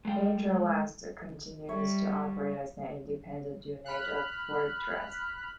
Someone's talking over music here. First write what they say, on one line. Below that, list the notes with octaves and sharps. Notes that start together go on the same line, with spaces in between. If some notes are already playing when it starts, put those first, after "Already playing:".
Intrawest continues to operate as an independent unit of Fortress.
G#3 A3 F5 G5
G3 C#5 E5
B5 F6 F#6